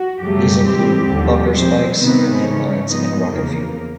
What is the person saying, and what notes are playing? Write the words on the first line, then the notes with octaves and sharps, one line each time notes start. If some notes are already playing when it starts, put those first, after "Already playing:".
These include bumper spikes, land mines and rocket fuel.
Already playing: F#4
F#2 C#3 F#3 G3 A3 G4
G2 E3 G#3 C4
D#2 D3 F3
A#2 F3 G#3 C4 C5
C3 D#3 G3 B3 C4 D#4 B4
C#3 E3 A3 C#4 C#5
G#2 F3 G#3 B3 D#4 D#5
E2 C#3 F3 A#3 A#4